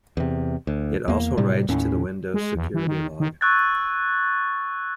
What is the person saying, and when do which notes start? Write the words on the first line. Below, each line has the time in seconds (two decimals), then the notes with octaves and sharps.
It also writes to the Windows Security Log.
0.17 E2 C3
0.67 D2
1.08 E2 A#3
1.37 A2 C3 G3
1.68 D#2 A2 C#4
2.34 G#3
2.55 E2
2.74 E3
2.87 D#3
3.20 D#3
3.41 C#6 E6 F#6 G#6 A6